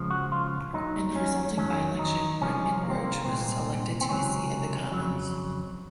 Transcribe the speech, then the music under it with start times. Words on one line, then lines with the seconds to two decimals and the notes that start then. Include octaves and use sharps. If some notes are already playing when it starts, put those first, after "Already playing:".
In the resulting byelection Redmond Roche was elected to his seat at the Commons.
Already playing: C#2 C#3 F3
0.10 F#4
0.32 F4
0.73 D#2 D#3 F#3 D#4
1.16 C#4
1.57 F2 D#3 F#3 C#4
1.99 D#4
2.41 C2 C3 F3 G#3 C#4
2.83 A#3
2.90 C4
2.97 A#3
3.04 C4
3.11 A#3
3.24 C2 A#2 G#3 C4
4.01 C4
4.09 C#2 C3 F#3 C#4
4.92 F2 C#3 F#3